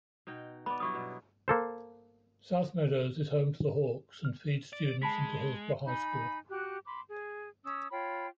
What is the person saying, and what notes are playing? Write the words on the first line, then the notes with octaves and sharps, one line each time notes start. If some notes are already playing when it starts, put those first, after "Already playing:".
South Meadows is home to the Hawks and feeds students into Hillsboro High School.
B2 D#4 G5
B3 D5 B5
G2 F#3 E4 C#6 D#6
B2
A#3 A4 C5
F6
D5
G#3 A5 B5 B6
D#4 G#5 B5
F#4 G4 F#6
B5 C6 D6
G#4
C#4 D#6 E6
F4 C#5 G5 B5